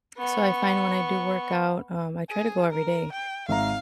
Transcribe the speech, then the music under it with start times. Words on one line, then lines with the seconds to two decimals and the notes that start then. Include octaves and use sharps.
so, I find when I do work out, um I try to go every day.
0.17 B3 C#6
2.30 G#4
2.71 A#4
3.13 G5
3.49 G#1 E5 F5 A#5